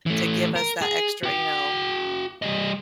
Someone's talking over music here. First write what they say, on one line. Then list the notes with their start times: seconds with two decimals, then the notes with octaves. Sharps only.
to give us that extra, you know,
0.06 E3 A3
0.56 A#4
0.82 G#4
1.23 F#4 G5
2.42 G3 D#5